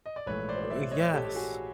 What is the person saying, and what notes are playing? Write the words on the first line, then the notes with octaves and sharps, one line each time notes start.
Oh, yes,
D#5
D5
A#1 G#2 E3 A3 B4 C#5
C5 D5
D5 E5
C#5 D#5
G4 A4
G4
F#4 G#4